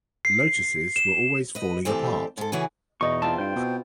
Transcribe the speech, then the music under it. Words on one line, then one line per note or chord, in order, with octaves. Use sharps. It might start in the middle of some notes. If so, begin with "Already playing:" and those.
Lotuses were always falling apart...
C7
E7
B4 D#5
D2 E3 C4 G4 A4
G#2 A4
C#3 E3 F#4 G#4 B4
E2 B2 D#4 C#6
C4 E4 F4 A5
G2 C5 G5
B2